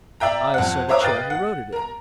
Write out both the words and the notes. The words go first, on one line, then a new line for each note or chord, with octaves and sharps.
I saw the chair he wrote it in.
D5 E5 G5 A#5
F2 F#5
C5 C#5 E5 A#5 D6
B4 D#5 F5 G5 A6
F#5
A#4 A#5